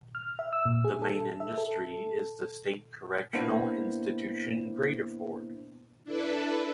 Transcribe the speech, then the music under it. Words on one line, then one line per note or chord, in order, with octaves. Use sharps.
The main industry is the State Correctional Institution - Graterford.
F6
E5
E6
A#2
G#4
A4
E5
A4
A#3 B3 D4 E4 C5
D4 E4 A4 B4